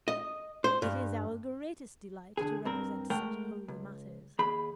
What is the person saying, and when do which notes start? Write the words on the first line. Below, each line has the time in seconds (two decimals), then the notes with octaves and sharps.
It is our greatest delight to represent such holy matters....
0.08 D#5
0.64 C5
0.82 G2
2.37 D3 G#4
2.65 G2 C4 A#4
3.10 G#3 A3 A#4 F#5 G5
3.68 C#2
4.39 D#2 G#4 B5